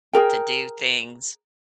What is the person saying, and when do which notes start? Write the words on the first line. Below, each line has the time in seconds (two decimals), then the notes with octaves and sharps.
to do things,
0.13 G#4 A#4 G5